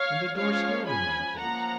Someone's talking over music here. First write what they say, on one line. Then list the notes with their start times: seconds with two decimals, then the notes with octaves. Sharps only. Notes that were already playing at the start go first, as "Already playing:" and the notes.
And the door still remained closed!
Already playing: C#5 F5
0.35 F3 G#3 C#4 C#5 F5
0.87 G#5 B5
1.39 F3 A#3 C#4 F#5 A#5